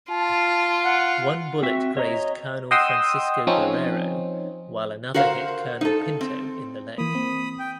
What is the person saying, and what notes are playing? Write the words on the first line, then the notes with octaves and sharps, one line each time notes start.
One bullet grazed Colonel Francisco Barrero while another hit Colonel Pinto in the leg.
F4 A5
F#5
C4 F#4 E5
C#5 D#5 A#5
D#5 F#5 G5 C6 D#6 E6
F3 C4 C#4 D#4
F#4 A#4 C5 F5 F#5
D#4 A4
C4
E3 A#3 B5 D#6
C4
G5